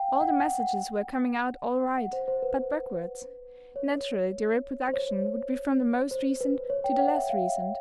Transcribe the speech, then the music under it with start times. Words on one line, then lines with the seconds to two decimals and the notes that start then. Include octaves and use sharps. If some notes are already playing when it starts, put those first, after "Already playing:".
All the messages were coming out all right, but backwards. Naturally the reproduction would be from the most recent to the less recent.
Already playing: F5 G5
0.21 F#5
0.40 F#5
0.60 F#5
1.97 F#5
2.13 C5
2.28 C5
2.42 B4
3.76 C#5
4.88 C5
4.94 C#5
6.11 C5
6.41 B4
6.70 C#5
6.84 G5
6.99 F#5
7.15 E5
7.29 F5